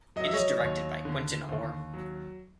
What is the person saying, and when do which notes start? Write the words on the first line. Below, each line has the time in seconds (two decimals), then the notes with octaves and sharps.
It is directed by Quintin Hoare.
0.16 F#3 D#5
0.25 E5
0.33 C#5 D#5
0.60 D#2
1.05 D3
1.49 D#2
1.94 F#3